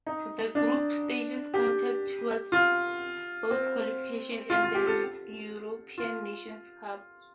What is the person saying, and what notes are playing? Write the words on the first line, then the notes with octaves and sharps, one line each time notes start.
The group stages counted towards both qualification and the European Nations Cup.
D#4
D4
G4
F4
C4
F4
F4
G4
A4
F4